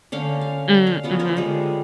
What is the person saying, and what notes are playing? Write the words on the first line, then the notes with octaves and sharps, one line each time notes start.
Mm, mhm.
D3 C#4 F5 G5
F5
F5
C#3 B3 C#4 F4
C#4 A#4 C5 C#5
D3 G3 G#3 G#4